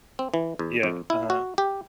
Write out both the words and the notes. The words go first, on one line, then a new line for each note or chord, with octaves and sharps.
Yeah, uh-huh.
C4
E3
E2
F2
E4
F#4
G4